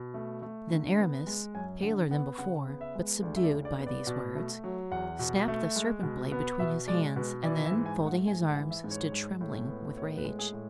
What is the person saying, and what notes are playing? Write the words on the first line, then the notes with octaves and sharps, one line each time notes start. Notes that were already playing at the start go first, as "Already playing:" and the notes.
Then Aramis, paler than before, but subdued by these words, snapped the serpent blade between his hands, and then folding his arms, stood trembling with rage.
Already playing: B2
A3
A3
D3
B3
G#3
F#2 G#5
D3 F#5
B3 F#5
C#3 F#5
B3
E5
G#3
D2 D5
E5
D5
C#3
D5
B3
D5
B2
A3
F#3
E2 F#5
B2
A3
G#3
B2
B3
B2 E5
G#3 D5
B2 B4
E3 D5
E5
G#2
G#5
A3
F#5
G#2 G#5
F#5
E3
E5
G#2
C#5
G#3
A2
B3
A2 C#5
B4
G#3
G#4
A2